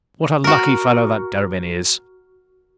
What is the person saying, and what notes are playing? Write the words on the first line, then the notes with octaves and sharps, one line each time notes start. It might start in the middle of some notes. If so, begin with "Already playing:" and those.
What a lucky fellow that Derebin is!
F#4 A#4